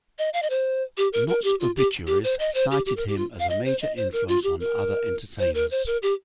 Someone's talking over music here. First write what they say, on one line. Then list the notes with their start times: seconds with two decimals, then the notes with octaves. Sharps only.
Knotts' obituaries cited him as a major influence on other entertainers.
0.19 D#5
0.33 F5
0.42 D#5
0.50 C5
0.97 G4
1.13 A#4
1.29 A#4
1.44 G4
1.60 F4
1.76 G4
2.07 G4
2.24 C5
2.39 D#5
2.54 C5
2.71 G4
2.86 G4
2.97 A#4
3.08 G4
3.17 F4
3.39 F5
3.50 D#5
3.65 C5
3.82 D#5
3.97 C5
4.13 A#4
4.28 F4
4.44 G4
4.60 A#4
5.39 C5
5.55 A#4
5.71 C5
5.87 A#4
6.02 G4